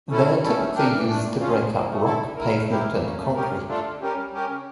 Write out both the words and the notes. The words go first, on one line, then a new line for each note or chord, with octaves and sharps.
They are typically used to break up rock, pavement, and concrete.
A3 C#4 E4 A4
A#2
G3 C#4 E4 A4
A3
D4 G4 A#4
E3
A3 D4
A#2
F3 C#4 F4
A2
F3 A#3
A3
E4 A4
D3
A3 E4 A#4
A3
E4 G4 A#4
E3
A#3 C#4
A3
C#4 G4 A#4
D3
A3 D4 F4 A4
D3
G3 C#4 G4 A#4
G3
C#4 G4 A#4
C#3